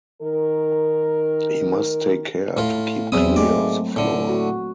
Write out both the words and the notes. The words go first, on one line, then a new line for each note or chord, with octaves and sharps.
He must take care to keep clear of the floor.
D#3 A#4
A2 F4
E2 F#3 C4 E4 D#6
G#2 A3 A#3 D5
A2 D3
F#4